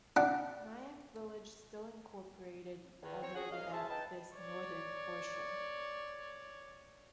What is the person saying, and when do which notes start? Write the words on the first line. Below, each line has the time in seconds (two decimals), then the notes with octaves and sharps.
Nyack village still incorporated, although without this northern portion.
0.16 D4 F#5
3.03 E2 D#3
3.22 C4 C#5
3.35 C#4 F#4 G#4
3.51 C2 F#3 D#5 F5
3.72 G#4 C5 E5 A5
3.89 D#4 B4 G5 A5
4.36 C#5 D5